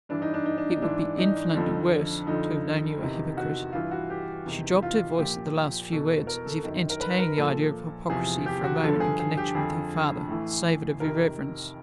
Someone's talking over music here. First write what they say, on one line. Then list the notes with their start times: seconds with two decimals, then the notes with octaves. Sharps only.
It would be infinitely worse to have known you a hypocrite.' She dropped her voice at the last few words, as if entertaining the idea of hypocrisy for a moment in connection with her father savoured of irreverence.
0.09 G2 E3 D4
0.22 D#4
0.34 D4
0.46 D#4
0.58 D4
0.70 D#4
0.82 G#2 E3 D4
1.18 D#4
1.55 F2 D3 F3
2.27 F2 D3 F3 D#4
3.01 E2 C3 D#3
3.37 F#4
3.73 G2 E3 F4
3.91 F#4
4.10 G4
4.46 E2 C3 D#3
4.83 F4
5.18 A#2 F3 G4
5.92 E2 B2 A4
6.27 A#4
6.46 A4
6.64 F#2 D#3
6.90 A#4
7.00 B4
7.19 A#4
7.37 A#2 F3 A4
8.10 E2 C3 F3 G#4
8.46 G4
8.64 F#4
8.83 G2 D3 F3 A4
9.00 G#4
9.19 G#4
9.37 G4
9.55 F2 D3 F3 G#4
10.28 A2 E3
11.00 F2 C3 D#3 A#4